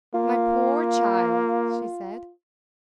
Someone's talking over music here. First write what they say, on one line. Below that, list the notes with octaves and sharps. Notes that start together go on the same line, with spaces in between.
"My poor child!" she said.
A#3 F4